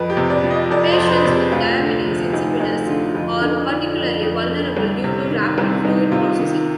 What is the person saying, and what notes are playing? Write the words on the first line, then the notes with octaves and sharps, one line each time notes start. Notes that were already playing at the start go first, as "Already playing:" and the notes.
Patients with diabetes insipidus are particularly vulnerable due to rapid fluid processing.
Already playing: F2 B4
G4
C3
D5
F3
D#5
F2 D5
C5
F2
C5
B4
C3
G#4
D2 F4
D3
F3
D2 D#4
D2 D#4
D3 F4
F2 F4
D3 D#4
D#4
F3 D4
F2
F2
D3
C2
C3
D#3
C2 C4
C2 D#4
C3 F4
D#3